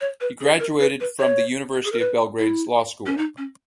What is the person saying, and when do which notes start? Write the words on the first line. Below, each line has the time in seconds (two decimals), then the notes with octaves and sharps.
He graduated from the University of Belgrade's Law School.
0.01 C#5
0.21 B4
0.40 G#4
0.60 A#4
0.80 B4
1.00 B4
1.19 C#5
1.85 G#4
1.92 A#4
1.99 B4
2.39 E4
3.06 C#4
3.17 D#4
3.38 C#4